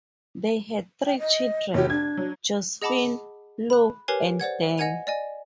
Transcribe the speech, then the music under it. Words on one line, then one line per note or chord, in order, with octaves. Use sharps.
They had three children: Josephine, Lou and Dan.
G5
D#5
F1 G4 C#5
D4 G#6
F#3
G#4 D#5 F#5 A5 B5 D6
B5 F#6
G4 A#4 B4 C#5 G#5 C7
C5 D5 F#5 G#6
D#5 F#5 G#5 G#6 D#7 F7
D5 D#5 G#5